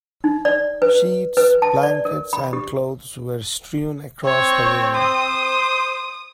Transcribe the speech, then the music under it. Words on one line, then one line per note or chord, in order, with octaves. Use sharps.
Sheets, blankets, and clothes were strewn across the room.
D#4
D5
B4
B4
A5
D5
A#4
B5
G4
C4 C#5
C5 D#6